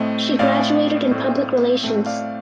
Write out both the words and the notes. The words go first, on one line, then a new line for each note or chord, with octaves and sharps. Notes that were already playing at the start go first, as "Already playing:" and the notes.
She graduated in Public Relations.
Already playing: A2 A3 C4 D#5
A2 A3 C4 D5 F5
A2 A3 C4
A2 A3 C4
D5 F5